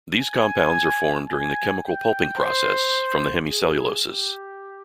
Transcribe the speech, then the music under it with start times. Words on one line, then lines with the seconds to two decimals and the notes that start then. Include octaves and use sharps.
These compounds are formed during the chemical pulping process, from the hemicelluloses.
0.20 G#5
1.29 G#5
1.83 G5
2.37 C5
3.47 G#4
4.01 G4